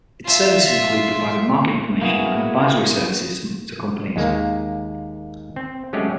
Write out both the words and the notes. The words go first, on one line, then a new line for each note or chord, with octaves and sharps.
Its services include providing market information and advisory services to companies.
F4 E5
A#3 B3 E4 F#4 G#4
D#2 G#3 A#3
C4
F#3 G#3 A3 C#4 G4 G#4